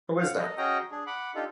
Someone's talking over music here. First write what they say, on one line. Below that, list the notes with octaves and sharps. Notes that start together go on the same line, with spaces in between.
Who is that?
C#4 F5 F#5
A4 A#4 D#5
C#4 F#4 G#4 D#5 G5 A#5
D4 G#4
F#5 B5 D6
D4 D#4 F4 G4 A4